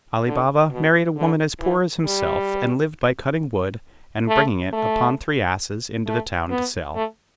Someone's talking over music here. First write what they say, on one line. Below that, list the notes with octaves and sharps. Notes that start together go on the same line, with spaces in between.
Ali Baba married a woman as poor as himself, and lived by cutting wood, and bringing it upon three asses into the town to sell.
D3
B2
D3
E3
G3
A3
A3
A3
B3
A3